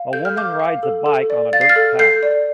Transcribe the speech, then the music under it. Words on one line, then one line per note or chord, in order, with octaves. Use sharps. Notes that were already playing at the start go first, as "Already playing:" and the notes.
A woman rides a bike on a dirt path.
Already playing: F5
A4 G6
F6
F5 D6 G6
F5
A4
A4
D5
F5 A6
C7
F6 A6
A4
A4 G6 C7
D5